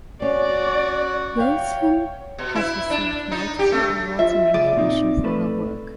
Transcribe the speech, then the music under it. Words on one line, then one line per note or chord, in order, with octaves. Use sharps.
Wilson has received multiple awards and recognition for her work.
C#4 F#4 D5
C#5 E5 F5 G5
B2
E4
D4
D#4
G4
A3
F4 E5
C#2 G#4 D5
A#2 C4 D#4
A3 B4